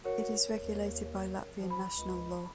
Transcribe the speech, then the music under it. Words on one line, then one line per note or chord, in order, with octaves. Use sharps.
It is regulated by Latvian national law.
F#4 A#4 C#5
D#2
F3
B5
C#2